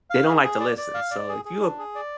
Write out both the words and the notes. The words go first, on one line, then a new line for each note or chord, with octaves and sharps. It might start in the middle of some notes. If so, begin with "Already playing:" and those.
they don't like to listen. So if you a
F5
G#4
G#4
D5
D5
F5
D5
G#4
G#4
D4
G#4
D5